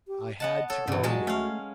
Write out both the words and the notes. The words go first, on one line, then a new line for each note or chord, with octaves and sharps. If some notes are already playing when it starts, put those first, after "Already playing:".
I had to go there.
G4
B3 D#5 F#5 A5
A4 C#5
E2 G2 A#2 C#3
A#2 F#3 G#3 F#4 A5
A3 C#4 F5